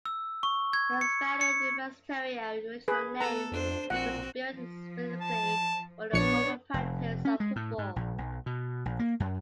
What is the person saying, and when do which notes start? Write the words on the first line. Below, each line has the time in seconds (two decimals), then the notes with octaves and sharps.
The Estadio Universitario, original name, was built specifically for the former practice of football.
0.06 E6
0.43 C#6
0.73 G#6
1.01 C#7
1.41 C#7
2.88 G#4 B4
3.20 B3 A4 A#5 F#6
3.52 F2 D4 C5
3.90 A#1 A#2 C4 F#4 F#5
4.53 F3
5.22 A5
6.13 A#1 B3 D4 C#5 C#7
6.74 F1
7.25 C#4
7.40 G#3
7.56 A2
7.78 G#2
7.96 A#1
8.18 B1
8.46 B2
8.85 A#1
8.99 A#3
9.20 F#2